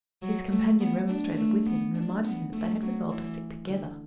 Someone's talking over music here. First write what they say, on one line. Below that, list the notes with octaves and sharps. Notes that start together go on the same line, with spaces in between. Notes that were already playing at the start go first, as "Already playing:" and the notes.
His companion remonstrated with him, and reminded him that they had resolved to stick together.
F#3
A3
B3
D4
A3
B3
D4
B3
A3
F#3
E3
D3